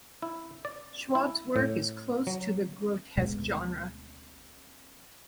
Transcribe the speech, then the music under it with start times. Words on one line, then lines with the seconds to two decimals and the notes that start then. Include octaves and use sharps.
Schwab's work is close to the grotesque genre.
0.22 E4
0.65 D5
1.15 E4
1.56 A2
2.27 F#3
3.18 D2 B2 G#3